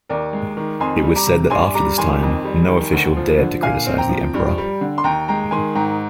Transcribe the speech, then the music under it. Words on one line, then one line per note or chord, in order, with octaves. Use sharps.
It was said that after this time, no official dared to criticize the emperor.
D#2 A#4 D5
G#3
D#3
F2 G#5 C6
G3
A#5 D6
C3
G2 G#5 C6
G3 A#5 D6
D#3 G#5 C6
F2
G3
D#3
D2
F3
D3
A#2 F5 G#5
C4
G5 A#5
F3
G2
G3
D3
C6
D#2 G5 A#5
G#3 G5 A#5
D#3 G#5 C6
G#2 G5 A#5